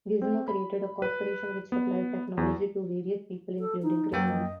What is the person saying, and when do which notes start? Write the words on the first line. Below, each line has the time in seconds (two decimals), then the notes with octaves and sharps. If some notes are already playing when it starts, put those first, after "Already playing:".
Gizmo created a corporation which supplied technology to various people, including criminals.
0.22 C4
0.48 B5
1.02 B4
1.72 B3
2.37 E2
3.58 A4
3.83 D#4
4.13 F#2 A#3 B4 G5
4.29 D#5